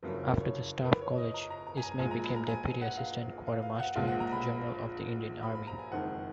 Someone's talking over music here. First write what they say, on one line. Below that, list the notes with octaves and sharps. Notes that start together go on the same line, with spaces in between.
After the Staff College, Ismay became Deputy Assistant Quartermaster General of the Indian Army.
F#1 F2 C#3 F#3 A#4
A#4
A#4
C#5
A#4
B4
C#5
D#5
A#5
A#5
A#5
G#5
A#5
A#1 A#2 G#3 G#5
A#5
B5
A#5
G#5
G#5
F#5
F5
F5
F5
F5
F#5
A#1 A#2 G#3 F5
F#5
A#5
B5
B5
B5
A#5
G#5
F#1 F2 D#3 G#3 F#5